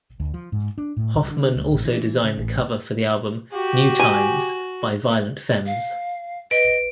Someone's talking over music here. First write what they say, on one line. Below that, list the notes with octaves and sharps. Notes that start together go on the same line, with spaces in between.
Hoffman also designed the cover for the album "New Times" by Violent Femmes.
D2
F3
G#2
D4
A2
C2
D3
D2
A1
E3
C#3
A1
F#4 G4
G#5
F5
B4 D#5 D7